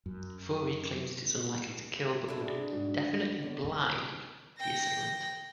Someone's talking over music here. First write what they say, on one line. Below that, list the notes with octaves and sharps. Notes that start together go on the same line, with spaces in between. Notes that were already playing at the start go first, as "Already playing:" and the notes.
Fourie claims it is unlikely to kill but would "definitely blind" the assailant.
F#2
D4 E4 A4 B4
C3 G4 G#4
G#2 D#4 F#4
D2
D3 B3 C#4
G5 A#6